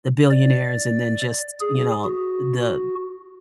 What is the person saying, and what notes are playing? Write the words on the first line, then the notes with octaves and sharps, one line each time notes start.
the billionaires and then just, you know, the
D5
G#4
F#4